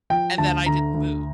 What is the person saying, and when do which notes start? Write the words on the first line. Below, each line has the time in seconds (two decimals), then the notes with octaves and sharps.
and then I didn't move.
0.10 F3 G5
0.38 D2 A5
0.66 D3 A#5
0.94 D2